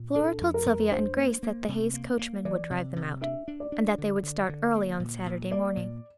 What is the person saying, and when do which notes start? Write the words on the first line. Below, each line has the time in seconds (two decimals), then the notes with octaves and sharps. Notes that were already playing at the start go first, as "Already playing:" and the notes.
Flora told Sylvia and Grace that the Hayes coachman would drive them out, and that they would start early on Saturday morning.
Already playing: A#2
0.15 D4 A4
0.41 F2
0.54 A#4
0.66 F2
0.92 D4 C5
1.17 A#3
1.43 A#3
1.69 C3
1.94 A#3
2.19 A#3
2.45 E3 D5
2.71 C3
2.96 C3
3.22 D4 E5
3.48 D4
3.60 D5
3.72 D4
3.98 D3
4.23 D3
4.49 D3
4.75 A#3
5.00 A#2
5.26 A#2
5.51 A#3 D5
5.77 A#2